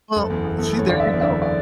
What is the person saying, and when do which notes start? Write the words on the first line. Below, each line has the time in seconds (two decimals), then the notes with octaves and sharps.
Well, uh, see, there you go.
0.16 F#1 A4
0.30 E2
0.44 F#1
0.58 E2 A4
0.69 E2 A4
0.79 C#5
0.86 D3 D5
1.00 F#1 E5
1.14 E2
1.21 E5
1.28 D3
1.42 D5